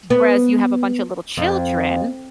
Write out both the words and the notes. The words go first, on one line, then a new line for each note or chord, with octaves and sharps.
whereas you have a bunch of little children
B3
F2